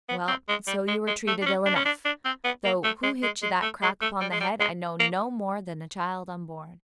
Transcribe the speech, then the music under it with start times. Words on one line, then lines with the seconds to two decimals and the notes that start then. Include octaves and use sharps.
Well, so you were treated ill enough--though who hit you that crack upon the head I know no more than a child unborn.
0.09 B3
0.28 C4
0.49 G#3
0.67 G3
0.88 G#3
1.07 G#3
1.27 A3
1.42 D4
1.46 C#4
1.66 D4
1.76 C#4
1.85 D4
2.05 D4
2.25 C4
2.44 B3
2.64 A#3
2.84 A3
3.03 G#3
3.23 G#3
3.43 G#3
3.62 A3
3.82 G#3
4.02 A3
4.21 G3
4.32 G#3
4.41 G3
4.60 G#3
5.00 A#3